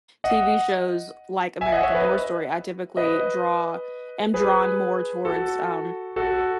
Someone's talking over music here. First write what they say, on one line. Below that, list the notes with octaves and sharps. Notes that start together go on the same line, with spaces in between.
TV shows like American Horror Story, I typically draw am drawn more towards, um,
D#5 F#5
E5 G#5
D#5 F#5
C#5 E5
B4 D#5
B4 D#5
G#4 B4
F#4 A4
F#4 A4